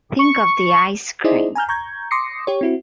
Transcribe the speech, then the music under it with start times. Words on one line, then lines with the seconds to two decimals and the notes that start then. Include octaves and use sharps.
Think of the ice cream!
0.19 C#6
1.24 D#4 E4 G#4 C5 D5 D#5
1.55 G#5 A#5 F6 G6
1.69 A#5 C#6 G6 G#6
2.11 C6 D6 D#6 A#6 C7 C#7
2.47 G4 C#5
2.61 C4 E4 F#4